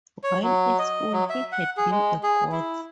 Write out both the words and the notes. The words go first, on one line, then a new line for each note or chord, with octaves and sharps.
While at school, he had been a Goth.
C#5
F#3
D#5
F#3
E5
F#5
G#4
G#3
G#4
E4